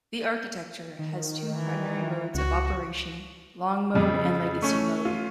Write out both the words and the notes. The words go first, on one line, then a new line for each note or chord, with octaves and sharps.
The architecture has two primary modes of operation, long mode and legacy mode.
D#3
E3
C#2 F#4
F2 C#3
A3 C#4 C#6
F4